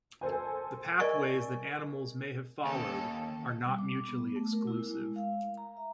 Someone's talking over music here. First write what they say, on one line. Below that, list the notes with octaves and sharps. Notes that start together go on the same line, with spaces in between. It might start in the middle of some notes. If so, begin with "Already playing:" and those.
The pathways that animals may have followed are not mutually exclusive.
A4 A#4 C5 G#5
A#4 D5 D#5 G#5 C#6
D#2 C#4 A4
G3
D6
B3
A3
A#4
E4
G#3
F5
A#5
E5